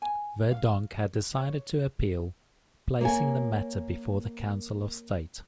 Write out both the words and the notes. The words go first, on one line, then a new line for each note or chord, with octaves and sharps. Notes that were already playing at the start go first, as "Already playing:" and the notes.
Verdonk had decided to appeal, placing the matter before the Council of State.
G#5
F5
C#5
A#3 C#5 G#5